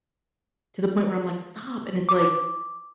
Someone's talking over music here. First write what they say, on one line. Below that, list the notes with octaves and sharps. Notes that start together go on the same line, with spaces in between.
to the point where I'm, like, "Stop." And it's, like,
D6